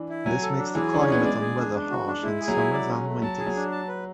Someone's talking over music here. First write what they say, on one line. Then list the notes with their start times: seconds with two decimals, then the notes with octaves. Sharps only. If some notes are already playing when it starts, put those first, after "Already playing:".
This makes the climate and weather harsh, in summers and winters.
Already playing: E3 D4
0.09 E4
0.25 F#3 G#5
0.42 A4
0.58 D4
0.75 E3 G#4
0.91 D4 C#5
1.00 C#4
1.08 B3 G#4
1.24 G#3 D5
1.41 G#4
1.57 D4
1.74 D4
1.90 F#4
2.07 D4
2.23 G#3 E4
2.40 G#4
2.48 F#3
2.57 E4
2.73 D5
2.89 C#4
3.06 A3
3.22 F#3 A5
3.39 G#4
3.47 F#3
3.56 D4
3.72 A5
3.88 B4